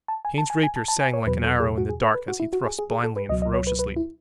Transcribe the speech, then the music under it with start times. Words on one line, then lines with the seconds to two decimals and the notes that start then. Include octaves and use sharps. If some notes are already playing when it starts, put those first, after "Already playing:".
Kane's rapier sang like an arrow in the dark as he thrust blindly and ferociously.
0.08 A5
0.25 G#5
0.38 A5
0.50 G#5
0.63 G#5
0.76 A5
0.88 A5
1.01 G#5
1.13 C#5
1.26 E2 B2 F#3 B4
1.44 A4
1.60 G#4
1.78 F#4
1.89 G#4
2.03 A4
2.15 B4
2.28 F#4
2.40 E4
2.53 F#4
2.65 G#4
2.79 G#4
2.91 G#4
3.04 A4
3.16 B4
3.29 C#2 B2 F#3 D#5
3.42 D#5
3.54 C#5
3.67 B4
3.79 B4
3.96 E4